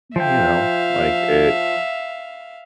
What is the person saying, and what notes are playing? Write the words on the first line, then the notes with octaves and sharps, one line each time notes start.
you know, like, it, um,
F3 E5 F5 G5